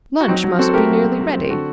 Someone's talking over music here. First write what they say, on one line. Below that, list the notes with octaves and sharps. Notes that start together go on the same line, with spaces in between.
Lunch must be nearly ready.
F#4
F#3 C4 D#4
F#3
C4 F#4 A4
A4
A3 G4 A#4
F#3
F#3
F#3
C4
D3 F#4 A4